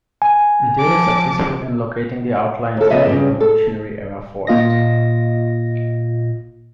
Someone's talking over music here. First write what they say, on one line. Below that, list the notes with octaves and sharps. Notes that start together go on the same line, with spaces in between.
They were successful in locating the outlines of the revolutionary era fort.
G#5
F3 A5 D6
D#2 A4
C#3 F3 B3 D#5 E5
G2 C#3
A4
A#2 F4 D#5 A#6